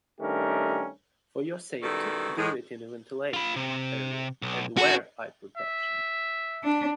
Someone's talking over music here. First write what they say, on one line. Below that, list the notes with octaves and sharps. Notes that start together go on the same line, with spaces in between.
For your safety, do it in a ventilated area and wear eye protection.
G2 D#3 A3 C#4 G4 A#4
F#2 B2 D#3 G3 E4 A4
A2 G#3
F4 B5
C3
B1
C#4 F#4 A4
E5
D4